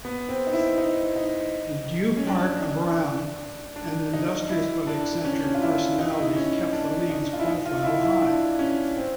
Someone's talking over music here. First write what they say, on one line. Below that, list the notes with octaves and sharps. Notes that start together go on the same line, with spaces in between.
Du Parc Braham, an industrious but eccentric personality, kept the league's profile high.
B3
C4
D#4
E4
D#4
D#4
C#4
D4
D4
D#4
E4
D4
C#4
D4
C#4
F4
E4
D#4
E4
D#4
C#4
D4
D#4
F4
E4
D#4
F4
E4
E4
D4
C#4
C4